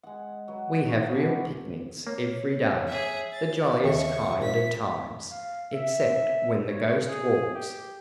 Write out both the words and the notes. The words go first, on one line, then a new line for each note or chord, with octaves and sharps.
We have real picnics every day, the jolliest kind of times--except when the ghost walks.
G#3 F#5
F#3 B4
F#3 D#5 C#6
G#3 B3 D4 B4
A#3 C#5
G#4 E5
A6
D#2 E5 C#6
A#1 B6
F5
E5
C#5
G#4
G4